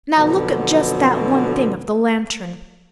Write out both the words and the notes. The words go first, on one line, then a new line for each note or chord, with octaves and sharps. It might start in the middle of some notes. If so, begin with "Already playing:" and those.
Now look at just that one thing of the lantern.
F2 B2 D3 F#3